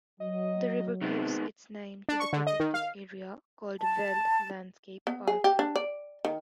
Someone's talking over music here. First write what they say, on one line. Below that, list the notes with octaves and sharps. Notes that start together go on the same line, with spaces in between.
The river gives its name to the protected area called Wel Landscape Park.
F#3 D#5
C3 D#3 G#3 B3
D4
C#6
D3
D#5
D#3
F5
A5
B3
G#4
G4
D4
D5
D#3